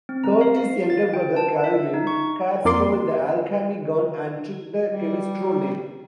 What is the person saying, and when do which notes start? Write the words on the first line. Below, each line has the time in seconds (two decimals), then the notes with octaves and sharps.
Curtis' younger brother Calvin Carr stole the alchemy gun and took the Chemistro name.
0.09 C4
0.24 A#5
0.41 F5
0.56 F5
0.90 A6
1.14 G5
1.36 A5
1.64 E5
1.94 D#4
2.07 C#6
2.65 F2 A#3 D5 C6
4.87 G3